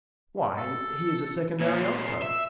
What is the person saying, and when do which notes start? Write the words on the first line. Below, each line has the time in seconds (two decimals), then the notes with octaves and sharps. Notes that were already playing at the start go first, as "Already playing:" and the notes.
"Why, he is a second Ariosto."
0.57 A4
1.60 A#2 C#4 G#5
1.84 C6
2.22 E5